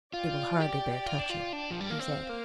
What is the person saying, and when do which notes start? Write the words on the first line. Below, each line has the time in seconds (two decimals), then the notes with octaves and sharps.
"It will hardly bear touching," he said.
0.14 F4 D5 G5
0.60 G4
1.07 F4
1.19 D4
1.29 F4
1.53 D4
1.71 F3
1.81 G3
1.90 A#3
1.99 C4 C5 F5
2.29 A#3